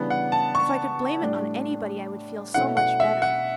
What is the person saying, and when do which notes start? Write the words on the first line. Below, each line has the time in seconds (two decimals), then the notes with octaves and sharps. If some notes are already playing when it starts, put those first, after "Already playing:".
If I could blame it on anybody I would feel so much better.
Already playing: C#3 E3 G3 B3 D4
0.10 F#5
0.32 A5
0.55 C#6
1.22 A2 G3 D4
2.54 B2 A3 C#4 E4 F#5
2.77 F#5
3.00 E5
3.22 F#5